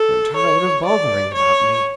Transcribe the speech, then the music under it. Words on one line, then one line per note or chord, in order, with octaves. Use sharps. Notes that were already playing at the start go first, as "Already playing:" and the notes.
You're tired of bothering about me.
Already playing: A4
C#5
D5
C#5